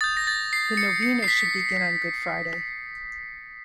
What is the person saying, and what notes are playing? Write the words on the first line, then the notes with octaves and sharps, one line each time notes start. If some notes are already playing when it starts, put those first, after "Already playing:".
The novena should begin on Good Friday.
D#6 G6 A6
A#6
A6
C7
C#7
C#7
C7
B6